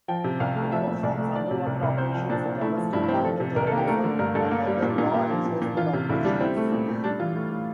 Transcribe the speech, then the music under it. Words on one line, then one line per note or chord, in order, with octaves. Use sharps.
It performs underwater operations, domestic counter-terrorism and other law enforcement operations.
F3 G5
C3
C2 F5
A3
F3 E5
A#2
C2 D5
A3
F3 D5
C3
C2
C2
C4 C5
F3
A#2 D4
A#2
A3 E4
F3
G2 E4
E4
C4
G4
F3 A4
C3
C2 A#4
A4
A#3
G4
A3 A#4
D3
G2 A#4
G2 A4
A#3
G3
A#2
A#2
A#3 G4
F3
A#2
A#2
E3 F4
C3
D2 E4
G3 D4
C4 E4
A3
A#2
A#2
G3 D4
E3 F4
A2
A2